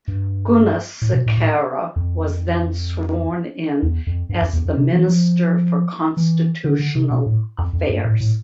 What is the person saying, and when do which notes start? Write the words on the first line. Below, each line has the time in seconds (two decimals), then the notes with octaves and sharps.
Gunasekara was then sworn in as the Minister for Constitutional Affairs.
0.08 G2
1.02 A2
1.13 B2
1.26 A2
1.37 A2
1.96 F2
3.82 E2
4.07 F2
4.29 G2
4.41 F2
4.53 E2
4.65 F2
4.77 C3
4.93 E3
5.08 F3
6.17 E3
6.64 D3
6.79 D3
6.95 C3
7.11 B2
7.26 A2
7.58 F2
7.73 F2
7.89 G2
8.05 A2
8.20 A2